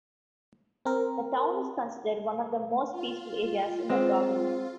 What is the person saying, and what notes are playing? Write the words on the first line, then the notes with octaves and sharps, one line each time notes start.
The town is considered one of the most peaceful areas in the province.
C4 A#4
F4
G#3 C4